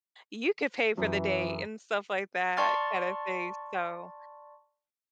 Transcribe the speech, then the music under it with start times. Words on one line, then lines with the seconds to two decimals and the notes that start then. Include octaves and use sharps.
you could pay for the date" and stuff like that kinda thing, so
0.97 F#2 E3
2.57 D5 A5 C6 C#6 F6 A6